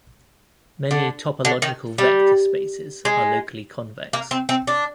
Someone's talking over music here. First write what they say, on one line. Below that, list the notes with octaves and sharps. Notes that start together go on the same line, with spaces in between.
Many topological vector spaces are locally convex.
D3
D3
D#3
G3
G#3
A#3
C4
C4
D4